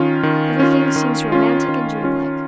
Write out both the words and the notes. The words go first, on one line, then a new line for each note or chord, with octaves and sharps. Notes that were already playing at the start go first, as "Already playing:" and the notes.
Everything seems romantic and dreamlike.
Already playing: D#3 C#4 F4
D#3
C#4 F4
D#3
C#4 F4
D#3
C#4 F4